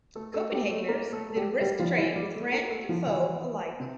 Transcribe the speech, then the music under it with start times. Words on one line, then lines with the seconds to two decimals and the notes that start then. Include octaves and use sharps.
Copenhageners did a brisk trade with friend and foe alike.
0.15 A3 A4
0.34 A3 A4
0.52 G3 G4
0.69 A3 A4
0.88 A#3 A#4
1.12 A3 A4
1.30 A4
1.36 G3 G4
1.61 G3 G4
1.79 F3 F4
1.97 E3 E4
2.16 G3 G4
2.34 A3 A4
2.52 A#3 A#4
2.70 A3 A4
2.89 F3 F4
3.07 E3 E4
3.80 C3 C4